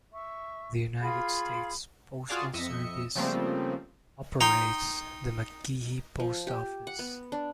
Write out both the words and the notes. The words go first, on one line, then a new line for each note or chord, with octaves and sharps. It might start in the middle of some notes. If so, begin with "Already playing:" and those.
The United States Postal Service operates the McGehee Post Office.
E5 C#6
F4 G#4 F5 B5
F4 F#4 G#4 D5 F5 A5
F2 D#5 E5 C#7
C#3 F3 G3 A3 A#3 C4
D#4 G5 A#5 C6
F3
G4
F#5
B3
D4